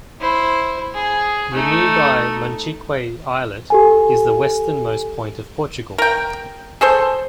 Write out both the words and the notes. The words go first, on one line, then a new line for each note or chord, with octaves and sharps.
The nearby Monchique Islet is the westernmost point of Portugal.
E4 C5
G#4
A3 D#4
G4 A4 G#5
A#4 G5
G#4 A4 C5